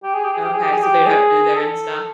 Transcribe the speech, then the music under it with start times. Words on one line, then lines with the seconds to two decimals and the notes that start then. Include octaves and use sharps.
Okay, so they'd have food there and stuff?
0.03 G4
0.14 G#4
0.23 G4
0.33 G#4
0.43 G4
0.53 G#4
0.62 G4
0.72 G#4
0.82 G4
1.05 G#4
1.56 A4